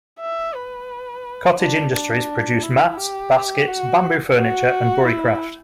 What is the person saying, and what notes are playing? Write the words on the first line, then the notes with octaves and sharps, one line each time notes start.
Cottage industries produce mats, baskets, bamboo furniture, and buricraft.
E5
B4
D4
D4
E4
G4
F#4
F#4
E4